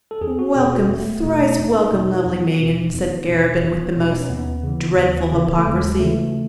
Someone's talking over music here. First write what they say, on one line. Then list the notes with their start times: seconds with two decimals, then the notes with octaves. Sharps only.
"Welcome, thrice welcome, lovely maiden," said Garabin with the most dreadful hypocrisy.
0.11 A4
0.21 E2 G#4
0.39 F#4
0.55 B2 G#4
0.73 F#4
0.90 E2 A3
1.23 B2 A3
1.58 E2 D#4
1.92 B2
2.26 E2
2.60 B2
2.94 E2
3.28 B2
3.61 E2
3.96 B2 E4
4.11 D#4
4.20 C#4
4.29 D#2 B3
4.63 C#3 E3
4.98 D#2
5.32 C#3 E3
5.58 A3
5.66 D#2 G#3
6.00 C#3 E3 A3